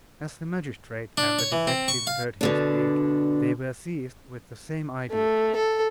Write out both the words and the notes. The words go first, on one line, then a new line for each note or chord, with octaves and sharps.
As the magistrate and the detective heard him speak, they were seized with the same idea.
D4
C#5
E3
C4
C#6
F5
B2 D3 D4
A3
A4